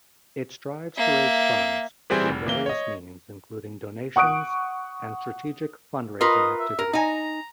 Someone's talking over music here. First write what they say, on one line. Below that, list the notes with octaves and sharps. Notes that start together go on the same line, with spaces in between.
It strives to raise funds through various means including donations and strategic fund-raising activities.
A#3 E5
E3 G3 C4 E4 G#4
F1
E3 A#3 G7
C#5 D#5
F#5 C#6 D#6 F#6 D7
F4 A#4 B4 D#5
E5
A#4
D#4 G#5 A#5